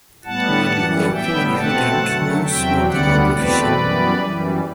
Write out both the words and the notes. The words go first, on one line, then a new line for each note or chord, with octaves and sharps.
Nearly every inhabitant knows more than one profession.
A2 G3 B3 F#5 A5
F#2 E3 G3
A2 G3 B3 E5 G5
B2 A3 C4 F#5 A5
F#2 D3 F#3 A3
E2 C3 F#3 C4 E5 G5
D2 D3 G3 B3 D5 F#5
E2 B2 A3 C4 B4 D5
F#2 E3 G3 B3
F#2 E3 G3